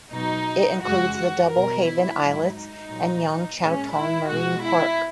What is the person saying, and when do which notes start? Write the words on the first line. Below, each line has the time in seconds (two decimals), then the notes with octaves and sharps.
It includes the Double Haven islets and Yan Chau Tong Marine Park.
0.13 B2 F#3 D#4
0.82 F#2 C#3 G#3 F#4
1.16 F#4
1.51 B2 F#3 A#4
1.86 E4
2.21 G#2 F#3
2.56 D#4
2.90 A#2 F#3
3.59 A#2 G#3 C#4
3.94 E4
4.28 B2 G#3 F#4
4.64 E4